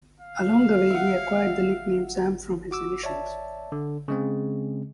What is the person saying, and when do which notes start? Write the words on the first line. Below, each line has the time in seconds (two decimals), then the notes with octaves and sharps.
Along the way, he acquired the nickname "Sam" from his initials.
0.21 F5
0.90 E5 F#5
2.71 F#4 D6 E6
3.04 C#5 D5 E5 A5
3.72 D3
4.08 C#3 G#3 C4